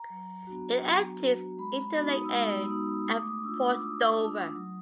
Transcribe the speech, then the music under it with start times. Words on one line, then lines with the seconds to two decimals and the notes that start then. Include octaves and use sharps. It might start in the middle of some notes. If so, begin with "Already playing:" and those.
It empties into Lake Erie at Port Dover.
Already playing: A#5
0.10 F#3
0.47 B3 D4 F#4
0.84 F#3
1.21 B3 D4 F#4
1.58 G#3 B5
1.95 B3 D#4 F#4
2.09 D#6
2.24 E6
2.32 G#3 D#6
2.70 B3 D#4 F#4 D#6
3.07 A3 D#6
3.17 D6
3.27 D#6
3.44 D4 F4 E6
3.71 D6
3.81 A3 D#6
4.18 D4 F4
4.55 F#3